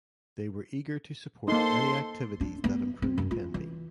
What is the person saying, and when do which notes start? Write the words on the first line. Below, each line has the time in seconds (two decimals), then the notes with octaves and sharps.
They were eager to support any activities that improved Tenby.
1.48 A#3 D#4 A4 C5 C6
2.41 D4
2.64 B3
3.02 C4
3.18 F#2
3.31 F4
3.54 E3